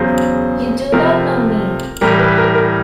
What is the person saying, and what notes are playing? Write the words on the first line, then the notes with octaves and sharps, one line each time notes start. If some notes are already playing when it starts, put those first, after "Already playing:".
You do not know me?
Already playing: E2 C#3 F#3 C5
C3 F3 A3 A#4
A2 E3 G3 A#4
B4
A#4
A#4